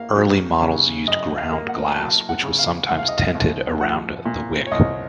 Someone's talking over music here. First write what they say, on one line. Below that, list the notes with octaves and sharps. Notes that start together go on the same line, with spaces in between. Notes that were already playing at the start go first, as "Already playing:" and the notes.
Early models used ground glass which was sometimes tinted around the wick.
Already playing: A#3 F5
F#3
C#3
F#2 D#5
F5
A#3
F#5
F#3 A5
F#5
C#3
F5
C2 F#5
F5
D#5
F5
C2
F3 F#5
A#2
C#5
C2 D#5